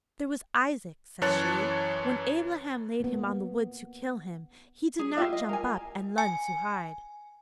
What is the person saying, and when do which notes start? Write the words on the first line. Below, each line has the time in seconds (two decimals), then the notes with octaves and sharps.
'There was Isaac,' says she: 'when Ablaham laid him on the wood to kill him, he did not jump up and lun to hide.'
1.22 F#2 E3 C#5 A5 F#6 A6
3.00 A#3 B3
4.99 G#4
5.17 F4 G4 E5 F5
5.33 D#5
5.49 A#4 G#5
6.18 G#5